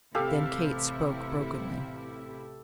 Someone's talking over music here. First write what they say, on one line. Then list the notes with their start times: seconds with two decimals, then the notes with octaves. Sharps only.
Then Kate spoke brokenly.
0.15 A1 C3 E4 G4 A4 F5